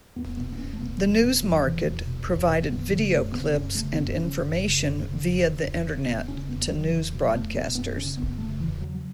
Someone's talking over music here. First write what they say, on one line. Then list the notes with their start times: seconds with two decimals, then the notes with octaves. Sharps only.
The NewsMarket provided video clips and information via the Internet to news broadcasters.
0.16 E2 B3
0.37 B2 B3
0.52 B3
0.58 E2 C#4
0.73 A3
0.79 B2 B3
1.00 E2 F#3
1.21 B2 B3
1.42 E2 F#3
1.64 B2 E3
1.84 E2
2.06 B2
2.27 E2
2.48 B2
2.69 F#2 B3
2.90 C#3 E3
3.11 F#2 A3
3.32 C#3 B3
3.54 F#2 C#4
3.74 C#3 A3
3.95 F#2 B3
4.17 C#3 C#4
4.38 F#2
4.59 C#3
4.79 F#2
5.01 C#3
5.22 E2
5.43 C#3
5.65 E2
5.85 C#3
6.06 E2 B3
6.28 C#3 C#4
6.49 E2 B3
6.70 C#3 F#3
6.90 E2 E3
7.12 B2 F#3
7.32 E2 A3
7.54 B2 B3
7.75 F#2 B3
7.96 C#3 C#4
8.17 F#2 B3
8.38 C#3 A3
8.59 E2 E3
8.80 C#3 F#3
8.95 F#3